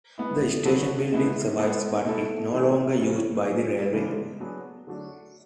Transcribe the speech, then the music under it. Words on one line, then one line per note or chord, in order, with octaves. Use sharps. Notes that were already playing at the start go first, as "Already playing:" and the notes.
The station building survives but is no longer used by the railway.
G#3 B3 E4
D3 F#3 B3 F#4 A4
B2 G#3 B3 E4
G#3 B3 E4 A4
B2 A3 E4 A4
E3 A3 C#4 G#4
C#3 F#3 C#4
F#3 C#4 G#4
C#3 E3 G#3 B3 D4
F#3 B3 D4 G#4
D3 F#3 A3 D4 F#4